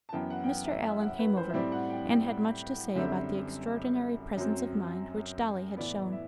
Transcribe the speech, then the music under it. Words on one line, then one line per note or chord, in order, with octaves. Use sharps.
Mr. Allen came over, and had much to say about the extraordinary presence of mind which Dolly had shown.
A5
F#2 E3 B3 G5
F#5
G5
F#5
E5
E5
F#5
B4
C5
E5
A2 G3 C4 D5
F#5
G5
G5
F#2 D3 G3 C4 E5
F#2 F#3 C4
A2 E3 B3 D5
E5